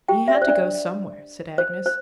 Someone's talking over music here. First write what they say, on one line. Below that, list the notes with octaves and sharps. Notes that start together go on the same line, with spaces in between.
"He had to go somewhere," said Agnes.
G4 G5
E5
D5
C5
D4 D5
C5
C5